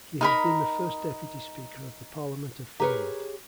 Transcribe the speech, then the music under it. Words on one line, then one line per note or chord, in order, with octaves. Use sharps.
He has been the First Deputy Speaker of the Parliament of Finland.
D#4 A#4 B5
G4 G#4 A#4 B4 C#5 A#5